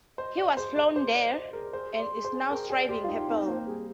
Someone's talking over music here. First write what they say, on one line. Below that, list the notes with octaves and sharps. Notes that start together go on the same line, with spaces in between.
He was flown there and is now thriving happily.
C5 D#5
D5 D#5
G#4 C5
G#4 D5
C5 C6
D5 D#5
C5 D#5
G#4 A#4
G#4 C5
C6
D5
G#4
C5
G#4
A#4 G5
G#4 D5
G4 C6
F4
D#4 G5
C4 D#4
A#3 C5
G3 G#4